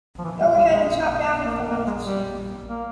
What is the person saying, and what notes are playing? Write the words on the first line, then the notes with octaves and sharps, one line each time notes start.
Go ahead and chop down your forests.
F3
E3
G3
G3
G#3
A#3
A#3
G#3
G3
A#3